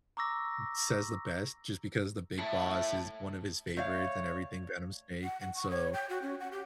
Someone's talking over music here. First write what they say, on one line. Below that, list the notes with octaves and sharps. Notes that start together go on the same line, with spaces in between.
says the best, just because the big boss is one of his favorites and everything, Venom Snake. And so,
A#5 C#6 D6 E6 A#6
A3 E4
A3 C#5 D5 F5
F#5
F#5
C#6
C#5
G5
F#4
C#4
F#5
G4